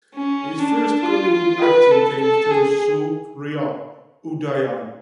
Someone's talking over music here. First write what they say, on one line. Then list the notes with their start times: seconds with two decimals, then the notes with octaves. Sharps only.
His first Kollywood acting came through "Suriya Udayan".
0.15 C#4
0.59 D4
1.04 F4
1.34 F4
1.62 B4
1.92 A4
2.21 A4
2.51 G#4